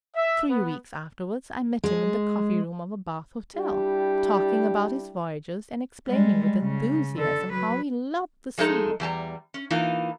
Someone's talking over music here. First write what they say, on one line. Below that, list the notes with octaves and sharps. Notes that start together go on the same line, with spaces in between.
Three weeks afterwards, I met him in the coffee-room of a Bath hotel, talking about his voyages, and explaining, with enthusiasm, how he loved the sea.
E5
B3
G#3
G3 D4 E4 G4
G3 G#3
C#3
D3 A4
F#3 B4
F3 G#3 A3 D#4 A4
E2 G3 A5 A#5
C#4
E3 A#3 D#4 F4